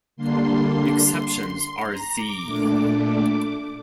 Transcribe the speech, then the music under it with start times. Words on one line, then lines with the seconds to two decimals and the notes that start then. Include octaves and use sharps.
Exceptions are z.
0.17 D3 G3 A#3 D4 C6
1.87 A#5
2.15 D6
2.43 A#2 A3 D4 D6
3.00 D6